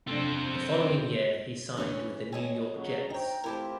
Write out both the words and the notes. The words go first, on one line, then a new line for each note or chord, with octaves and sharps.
The following year, he signed with the New York Jets.
C3 A3 C4 D4 A4
D2 B2 E3 C#4
A4 C#5 D#5 G#5 B5
C#3 F#3
D#4 C5 C#5 G5 A#5
A3 C4 E4 F4 G4 A#4 A5